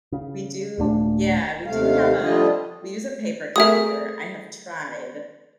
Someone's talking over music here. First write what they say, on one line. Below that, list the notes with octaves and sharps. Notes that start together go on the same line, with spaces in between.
we do Yeah, we do have a we use a paper calendar. I have tried
C#3
D#1 A#2 A3 D4
D#2 C3 A3 F5
F3 G3 A3 D4 F4 D#5
A3 G#4 A#4 E5 D#6